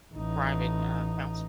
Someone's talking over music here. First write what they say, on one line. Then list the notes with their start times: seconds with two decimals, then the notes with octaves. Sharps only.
private, uh, counselor.
0.15 A1 D#4